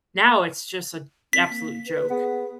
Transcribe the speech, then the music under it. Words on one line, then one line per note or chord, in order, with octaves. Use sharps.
now it's just an absolute joke.
C4 B6
A#3
B4
B3 G#4